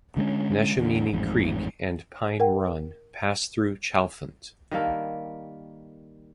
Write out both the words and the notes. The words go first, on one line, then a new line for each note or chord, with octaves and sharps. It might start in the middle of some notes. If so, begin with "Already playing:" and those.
Neshaminy Creek and Pine Run pass through Chalfont.
D3 G#3 B3 C#4
E2 D3
A1 F2 G#2
A#4 F#5 G5
D#3 G3 A#3 A4